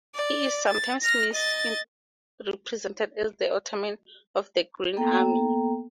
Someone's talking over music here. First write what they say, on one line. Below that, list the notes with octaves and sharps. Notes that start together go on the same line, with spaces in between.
He is sometimes misrepresented as the Otaman of the "Green Army".
D5
A6
F6 A#6
D#5 A6
A#3 B3 A4 G5 A#5